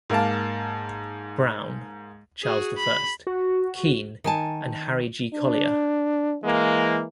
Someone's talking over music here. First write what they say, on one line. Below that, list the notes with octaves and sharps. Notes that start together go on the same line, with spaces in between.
Brown, Charles the First. Keene, and Harry G. Collier.
G#2 A#3 F5 A5
F#4 G#4
B5
F#4
D#3 G#5 A5
D4
E3 G#3 A#3